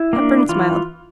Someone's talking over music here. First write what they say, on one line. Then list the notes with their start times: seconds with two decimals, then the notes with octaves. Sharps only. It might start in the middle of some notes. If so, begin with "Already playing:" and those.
Hepburn smiled.
Already playing: E4
0.13 A#3 D4
0.49 E3 F4